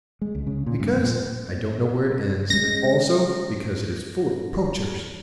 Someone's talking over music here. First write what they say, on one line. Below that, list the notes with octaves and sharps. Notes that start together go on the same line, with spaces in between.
"Because I don't know where it ends; and, also, because it is full of poachers."
G#3
C#2
C#3
A#2
G2
F2
A#2
G#3 C#4 A#6